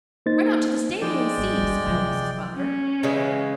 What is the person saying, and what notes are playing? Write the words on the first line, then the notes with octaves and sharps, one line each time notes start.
"Run out to the stable and see," smiled Mrs. Butler.
A#3 D#4 C5 A6
F3 G#3 D#4 D5 G5
G#1 G3 G#4
C#4 D4
C3 F3 F#3 F4
C#4
C#3 E3 G#3